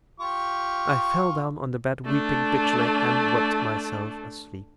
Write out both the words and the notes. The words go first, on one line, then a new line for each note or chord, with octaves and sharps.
I fell down on the bed weeping bitterly, and wept myself asleep.
F4 G4 C#6
A3 D4